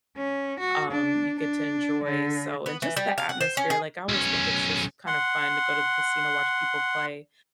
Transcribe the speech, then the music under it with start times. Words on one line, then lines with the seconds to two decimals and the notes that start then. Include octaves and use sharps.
um, you get to enjoy, so and just the atmosphere, like I always think it's just kind of fun to go to the casino, watch people play
0.17 C#4
0.60 F#4
0.91 D4
1.39 D4
2.04 D3
2.66 B3
2.82 E3
2.97 G3
3.18 F5
3.29 F#5
3.41 C5
3.57 C#4
3.70 G#4
4.09 B1 C#4
5.07 F#5 C6